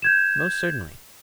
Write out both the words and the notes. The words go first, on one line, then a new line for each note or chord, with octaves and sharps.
Most certainly.
G6 G#6 E7